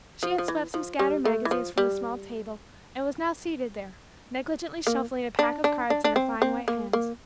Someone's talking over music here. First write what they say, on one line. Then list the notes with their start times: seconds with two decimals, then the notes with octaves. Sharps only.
She had swept some scattered magazines from a small table, and was now seated there, negligently shuffling a pack of cards in her fine white hands.
0.23 F3
0.38 F3
0.48 E3
0.74 F3
0.99 G3
1.25 A3
1.45 E3
1.51 F3
1.78 G3
4.87 A#3
5.39 D4
5.64 D4
5.90 D4
6.04 D4
6.16 C4
6.42 C4
6.68 A#3
6.93 A#3